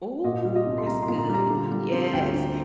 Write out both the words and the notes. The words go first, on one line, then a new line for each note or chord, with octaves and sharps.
Ooh, that's good, yes.
A#2 D#5
G3
D#5
C2
C6
C2 A#5
C6
A#2
A#5
G3 A#5
D3
G3
C4
D2 G5
D3